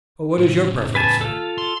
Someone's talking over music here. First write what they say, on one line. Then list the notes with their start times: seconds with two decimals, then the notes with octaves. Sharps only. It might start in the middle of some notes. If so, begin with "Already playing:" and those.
"What is your preference, sir?"
0.38 A2 C#3
0.95 B4 G#5 A5
1.21 F4 A4
1.58 C6